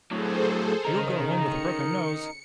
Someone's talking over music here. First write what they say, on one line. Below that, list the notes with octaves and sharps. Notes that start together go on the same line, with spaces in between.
"You'll go home with a broken nose!"
A2 F#3 G#4 A4 C5
C#3 D#4 A#4
C#7